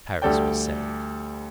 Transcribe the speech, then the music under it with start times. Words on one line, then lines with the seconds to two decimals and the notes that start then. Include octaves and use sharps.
Paris was saved.
0.22 D2 G3 A4 D5 G5